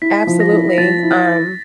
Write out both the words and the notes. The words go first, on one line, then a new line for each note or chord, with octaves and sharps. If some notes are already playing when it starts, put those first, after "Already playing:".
Absolutely. Um,
E4 B6
F3
A#6
E4
F3 A6
E4